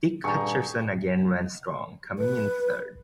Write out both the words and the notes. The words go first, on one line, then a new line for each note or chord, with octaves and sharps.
Dick Hutcherson again ran strong, coming in third.
D#1 G2 G#4 G5 A#5 C#6
B4